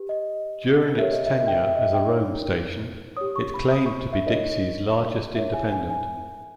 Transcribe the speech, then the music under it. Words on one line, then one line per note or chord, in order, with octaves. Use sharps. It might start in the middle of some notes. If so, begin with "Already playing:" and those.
During its tenure as a Rome station, it claimed to be Dixie's Largest Independent.
Already playing: G4 B4
D#5
G4 A#4 C#5 E5
D#5
E5
E5
G5
E5
E5
D#5
E5
G5
D#4 A#4 C#5
G4 C#5 D#6
C#6
B5
D#6
C#6
E5
D#4 A#4 C#5 D#5
E4 A#4 C#5 E5
G#5
G#5
G#5